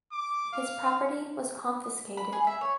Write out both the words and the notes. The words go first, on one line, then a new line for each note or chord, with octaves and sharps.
His property was confiscated.
D6
F5
B5
G#4
E5
C#5